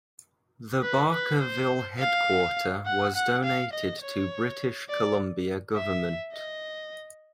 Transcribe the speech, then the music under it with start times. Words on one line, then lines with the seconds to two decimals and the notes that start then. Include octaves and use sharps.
The Barkerville headquarter was donated to British Columbia government.
0.82 B4
1.12 B4
1.41 C5
1.99 F5
2.86 F#5
3.16 F#5
3.44 F5
3.73 D#5
4.02 C#5
4.89 D5
5.76 E5
6.33 D#5